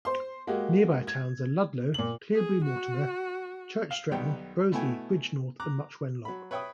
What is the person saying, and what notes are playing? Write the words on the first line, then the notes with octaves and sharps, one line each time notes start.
Nearby towns are Ludlow, Cleobury Mortimer, Church Stretton, Broseley, Bridgnorth and Much Wenlock.
C5 C6
G#3 A#3 F#4 G4
G#6
A#2 F#7
G#4
F#4
F5
B1 D#3 G3 B3 G5
B2 A3 B3 E4 G5 G#5
A#5 D6 F#6
F#3 B5
B4 C#5 E5 G5 B5 D#6